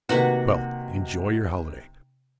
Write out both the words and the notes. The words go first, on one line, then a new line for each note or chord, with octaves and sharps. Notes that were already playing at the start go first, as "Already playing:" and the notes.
Well! enjoy your holiday.
C3 D#3 A#3 F#4 B4